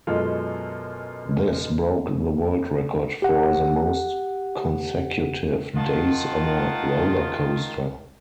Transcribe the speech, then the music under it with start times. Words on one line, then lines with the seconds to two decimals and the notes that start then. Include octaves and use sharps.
This broke the world record for the most consecutive days on a rollercoaster.
0.07 F#2 B2 G#3 F4 A4
3.22 G4 F#5
5.75 D#3 F4 F#5 A5